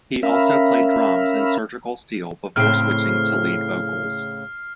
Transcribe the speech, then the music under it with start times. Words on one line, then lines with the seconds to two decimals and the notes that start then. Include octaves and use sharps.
He also played drums in Surgical Steel before switching to lead vocals.
0.23 C#4 A#4 E5 F5 B5
2.56 A2 C#3 C4 F6 C7